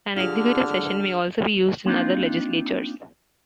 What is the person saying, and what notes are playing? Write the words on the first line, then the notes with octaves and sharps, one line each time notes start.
An executive session may also be used in other legislatures.
D3 D4 F4 G4 G#4 F6
A#3 C4 D4 D#4 F4